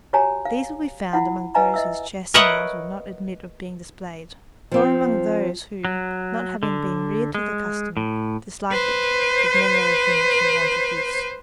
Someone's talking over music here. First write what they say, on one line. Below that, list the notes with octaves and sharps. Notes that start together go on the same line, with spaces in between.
These will be found among those whose chest and arms will not admit of being displayed, or among those who, not having been reared to the custom, dislike it with many other things from want of use.
F#4 G4 C#5 G#5 A#5
F5
E4 F4 F#5
B4 D#5 F5 G#5 A#5 C6
D#5 E5 E6
A#4 B4 C#5 D#5 E5 F#5
F3 C4
F#3
D3
G#3
A2
B4 C5